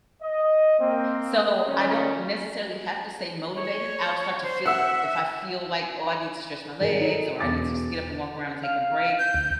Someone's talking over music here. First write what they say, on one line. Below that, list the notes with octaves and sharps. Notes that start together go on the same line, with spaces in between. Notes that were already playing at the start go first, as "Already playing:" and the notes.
So, I don't necessarily have to stay motivated, I'll start to feel it. If I feel like, "Oh, I need to stretch my legs or I need to just get up and walk around and take a break,"
D#5
A#3 C4
C#2 D#3 C#4
C#5
C5
E5 F#5 E6
G#1 G#4 A#4
D#4 A4
E1 D6 A6
F5
G6
D2